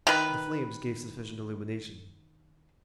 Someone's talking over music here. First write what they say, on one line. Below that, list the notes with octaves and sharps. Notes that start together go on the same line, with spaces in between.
The flames gave sufficient illumination.
D#3 B4